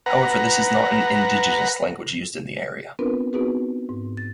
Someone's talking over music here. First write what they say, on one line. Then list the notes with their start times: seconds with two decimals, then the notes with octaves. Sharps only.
However this is not an Indigenous language used in the area.
0.06 B4 F#5 A#5
2.99 B3 C4 D4 F4 A#4 B4
3.33 B3 C4 D#4 F#4 G#4 B4
3.89 G#2
4.17 A6